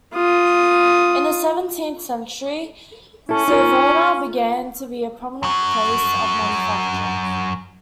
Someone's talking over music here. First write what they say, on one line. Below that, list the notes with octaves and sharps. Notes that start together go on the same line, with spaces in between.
In the seventeenth century Savona began to be a prominent place of manufacture.
F4 D#6
C#4 E4 A4
D#4 F4 A#4
F#2 F#4